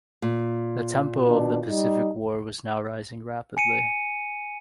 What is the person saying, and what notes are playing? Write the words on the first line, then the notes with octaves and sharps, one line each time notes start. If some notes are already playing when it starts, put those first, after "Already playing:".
The tempo of the Pacific war was now rising rapidly.
A#2
B2 D#3 D4
G3 D#4
G#5 C#7 D#7